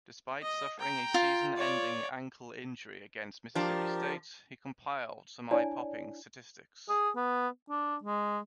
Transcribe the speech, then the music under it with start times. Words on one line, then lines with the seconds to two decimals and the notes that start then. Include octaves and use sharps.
Despite suffering a season-ending ankle injury against Mississippi State, he compiled some eye-popping statistics.
0.42 D#5
0.79 G5 A#5
1.14 F4
1.57 C#5 D5
3.55 F3 D4 G4 A#4 A5
5.51 D4 E4 C#5 D5 G#5 A5
6.89 G#4
7.16 B3
7.69 D4
8.04 G#3